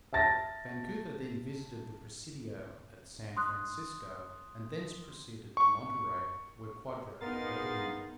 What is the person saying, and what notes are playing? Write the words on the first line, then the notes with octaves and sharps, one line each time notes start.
Vancouver then visited the presidio at San Francisco, and thence proceeded to Monterey, where Quadra awaited him.
E5 A5 A6 A#6
C6 D#6 F#6
C#6
B3 D#4 G#4 A#4 F5 C6 A6